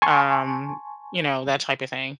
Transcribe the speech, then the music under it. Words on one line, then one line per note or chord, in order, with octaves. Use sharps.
um, you know, that type of thing,
G#5 A5 C6 C#6